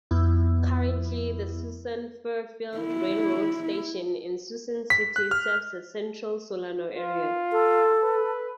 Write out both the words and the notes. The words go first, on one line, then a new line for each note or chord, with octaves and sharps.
Currently, the Suisun-Fairfield railroad station in Suisun City serves the central Solano area.
F2 B3 E4
E4
B6
F#6
F6
F4
A4
B4